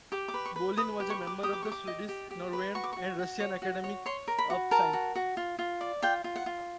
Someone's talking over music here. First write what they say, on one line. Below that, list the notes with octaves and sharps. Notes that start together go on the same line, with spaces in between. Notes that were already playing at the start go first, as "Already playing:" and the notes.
Bolin was a member of the Swedish, Norwegian and Russian Academies of Sciences.
G4 D6
D6
B4
C#6
B4
B4 D#6
G4
C#6
B4
D6
G4 D#6
D6
G4 C#6
D6
D#5
G4
G4
B4
F#4 C#6
D6
F#4 C#6
F#4
C#5
F#4
C#5
C#5 C6
A#4
B5
F#4
A#4 A5
F#4
F#4
F4
F4
D5
F4 G5
F4
F#5
F4